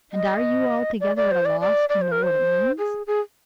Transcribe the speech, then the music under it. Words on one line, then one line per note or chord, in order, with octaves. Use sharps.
And are you altogether at a loss to know what it means?
D#5
D5
D5
C5
D5
D5
D5
C5
A#4
C5
G#4
G#4